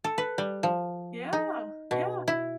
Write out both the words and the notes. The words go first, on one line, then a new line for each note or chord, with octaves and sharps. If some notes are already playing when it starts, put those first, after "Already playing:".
Yeah, yeah.
A4
B4
G3
F3
D#4
B2
E4